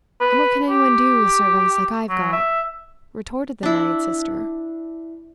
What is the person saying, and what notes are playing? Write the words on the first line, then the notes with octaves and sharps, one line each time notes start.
'And what can any one do with servants like I've got?' retorted the married sister.
B4
G4
F#3
E5
D4 E4